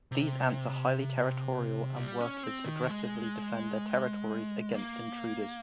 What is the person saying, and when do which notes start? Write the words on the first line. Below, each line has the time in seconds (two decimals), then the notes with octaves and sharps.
These ants are highly territorial and workers aggressively defend their territories against intruders.
0.12 C3
1.96 G3
2.21 C#4
2.43 C4
2.66 D#3
2.90 G#3
4.74 A#3